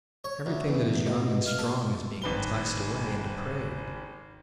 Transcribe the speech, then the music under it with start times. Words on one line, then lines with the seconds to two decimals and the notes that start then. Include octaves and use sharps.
Everything that is young and strong is being enticed away and depraved.
0.24 C#5
0.46 D2
0.68 E2
1.06 B2
1.46 F5
1.59 A4
2.22 G#1 B4 G7